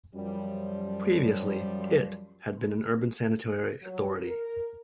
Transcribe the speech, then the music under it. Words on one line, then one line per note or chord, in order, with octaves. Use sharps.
Previously, it had been an urban sanitary authority.
F#2 F3 G3
F#3
A#4